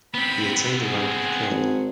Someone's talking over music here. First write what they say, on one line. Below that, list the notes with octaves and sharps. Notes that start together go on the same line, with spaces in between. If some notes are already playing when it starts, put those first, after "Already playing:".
He attained the rank of colonel.
B3 C4 B5
G#4 F#5
G#1